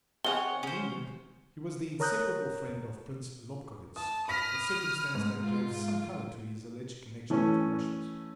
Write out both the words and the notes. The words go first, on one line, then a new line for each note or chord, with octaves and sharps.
In England, he was the inseparable friend of Prince Lobkowitz--a circumstance that gave some color to his alleged connection with the Russians.
D#3 C4 G#4 C#5 F#5 G7
C#4 G#4 C5
A#4 C#5 A#5 D#6 F#6 G6
A5 D#6
B5 D#6 F6 A#6 B6
G#2
F4
E3 A3 C#4